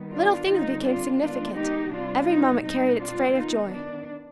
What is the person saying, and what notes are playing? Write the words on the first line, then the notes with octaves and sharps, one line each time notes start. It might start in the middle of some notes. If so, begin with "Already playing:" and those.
Little things became significant; every moment carried its freight of joy.
Already playing: D#3 G3 B3
D4 F4
D3 G3 C4 D#4
D4 F4
D#3 G#3 B3 D4 F4
D#4 G4
C3 G3 C4 D4 F4
D#4
B2 G3 C4 D#4
D4 F4
D#3 B3 D#4
D4